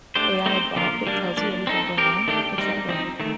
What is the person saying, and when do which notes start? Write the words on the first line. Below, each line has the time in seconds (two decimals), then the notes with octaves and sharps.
AI bot that tells you everything going on. What's that about?
0.15 A3 D4 G4 C5
0.46 A3 C4 D#4 G4 C5
0.76 D3 F3 A#3 F4 A#4
1.07 G3 A#3 D4
1.37 F3 A#3 D4
1.67 C4 D#4 A4
1.98 C4 G4 A#4
2.28 D#3 A3 D4 G4
2.58 G3 C4 D#4
2.89 F3 C4 D#4
3.20 D#3 A3